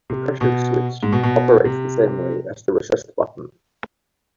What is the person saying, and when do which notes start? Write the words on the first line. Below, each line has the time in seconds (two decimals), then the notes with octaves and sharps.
This pressure switch operates the same way as the recessed button.
0.10 C3
0.41 B2
1.03 G#2
1.13 B2
1.23 B2
1.65 C3